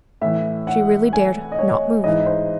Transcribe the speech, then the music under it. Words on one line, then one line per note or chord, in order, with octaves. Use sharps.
She really dared not move.
A2 E3 E5
F#5
G#5
D#5
C#5
G#2 E3 D#5
C5